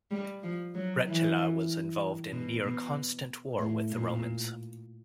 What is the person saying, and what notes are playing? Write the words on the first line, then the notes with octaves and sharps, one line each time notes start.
Rechila was involved in near constant war with the Romans.
G3
F3
F#3
E3
B2
B2
A2
A#2